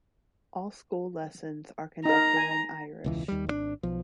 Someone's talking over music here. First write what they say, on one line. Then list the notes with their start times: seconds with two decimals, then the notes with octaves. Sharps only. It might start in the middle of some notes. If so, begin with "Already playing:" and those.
All school lessons are conducted in Irish.
2.05 D#4 A#4 A#5
2.37 G#5
3.04 E1 C#2 E3
3.28 D#2 G3
3.47 G#1 D#3 D4
3.83 B1 F3